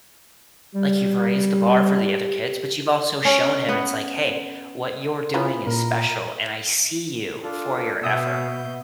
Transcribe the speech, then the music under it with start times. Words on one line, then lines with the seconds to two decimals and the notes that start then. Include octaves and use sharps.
like, you've raised the bar for the other kids, but you've also shown him it's like, "Hey, what you're doing is special, and I see you for your effort."
0.75 G3 G4
3.25 C#4
3.69 B3
5.34 C#3 E3 F4 A#5 B5
5.67 A#2 A#4
7.43 D4 F4 A4
8.03 B2 E5 D#6 E6 G6